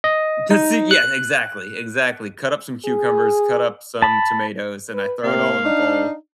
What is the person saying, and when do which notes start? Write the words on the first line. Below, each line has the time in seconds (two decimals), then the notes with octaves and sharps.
Tzatziki yeah, exactly, exactly. Cut up some cucumbers, cut up some tomatoes, and I throw it all in a bowl,
0.04 D#5
0.51 D#4
0.91 F#6
2.85 G#4
4.02 A5 B5
4.94 B4
5.24 C3 A#3 F5
5.65 D4 D#4